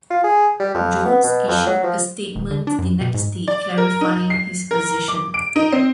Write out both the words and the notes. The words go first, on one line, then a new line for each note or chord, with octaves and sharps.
Jones issued a statement the next day clarifying his position.
F4
G#4
G3
F2
B3
B2
F2
F#3
F3
D#1
D3
D4
F#2
B2
G#2
D5
A#4
D#4
C7
A#4
D6
D7
D#4
C4